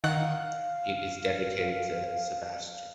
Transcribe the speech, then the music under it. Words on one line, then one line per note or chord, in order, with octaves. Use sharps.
It is dedicated to Sebastian.
D#3 F5 F#5 F#6